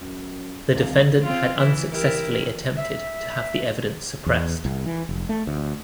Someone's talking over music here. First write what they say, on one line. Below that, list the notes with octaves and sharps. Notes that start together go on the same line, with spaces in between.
The defendant had unsuccessfully attempted to have the evidence suppressed.
F#2
C2 F2 D#3 F4
C4 F4
E3 E4
E4 G4 A#4
E5
E2
C2
E3
F1
A3
D2